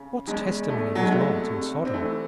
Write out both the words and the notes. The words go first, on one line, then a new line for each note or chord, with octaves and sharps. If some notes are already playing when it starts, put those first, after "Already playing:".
What testimony was Lot in Sodom?
Already playing: C#3
E2 G#3
E2 A3
F#3
G#3
C2 A3
C3
C4
E3 A3